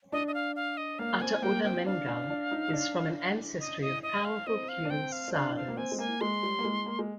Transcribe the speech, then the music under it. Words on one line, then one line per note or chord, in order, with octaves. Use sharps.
Ataullah Mengal is from an ancestry of powerful feudal sardars.
D4 D#5
D#5
F5
F5
D#5
A#3 F5
C4 G#5
A#3 G5
C4 G5
D4 F5
D4
D4
D#4
D#4
D4
D#5
D#5
D#5
F5
C4 D#5
F5
D4
C4 G5
F5
C4
D4 F5
C4 F5
A#3
C4 G#5
G#3
A#3 G#5
G#3 C6
G3
A#3
G#3
A#3
G#3